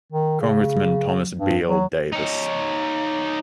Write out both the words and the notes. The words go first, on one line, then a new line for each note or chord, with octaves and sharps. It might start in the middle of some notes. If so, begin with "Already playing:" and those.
Congressman Thomas Beall Davis.
D#3
C#3
G2
F#3
D#4 C#5